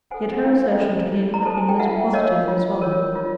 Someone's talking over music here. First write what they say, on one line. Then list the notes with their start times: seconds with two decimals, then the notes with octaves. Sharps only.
Yet her assertion to him had been most positive and solemn.
0.11 A4 C5 F#5 G#5
0.45 E4 F5 G5
0.79 A4 C5
1.12 E4
1.34 A#5
1.45 A4 C5 A5
1.57 G#5
1.69 G5
1.79 F4 E5 F#5
2.13 A#4 C#5 D#5 F5
2.48 F4
2.81 A#4 C#5
3.15 F4